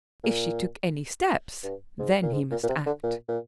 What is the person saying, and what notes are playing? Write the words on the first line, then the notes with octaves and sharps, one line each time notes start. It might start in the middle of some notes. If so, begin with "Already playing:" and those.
If she took any steps, then he must act.
A#2
G2
G#2
A#2
G#2
A#2
A#2
C3
D3
A#2
A#2